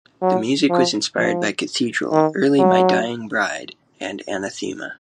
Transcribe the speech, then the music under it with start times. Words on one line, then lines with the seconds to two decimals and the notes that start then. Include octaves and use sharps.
The music was inspired by Cathedral, early My Dying Bride and Anathema.
0.22 F#3
0.70 F3
1.17 F3
2.12 D#3
2.58 F#3